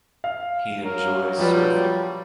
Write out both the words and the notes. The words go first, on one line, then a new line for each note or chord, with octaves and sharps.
He enjoys surfing.
F5
F#3 A#4
F3 G3 F4 B4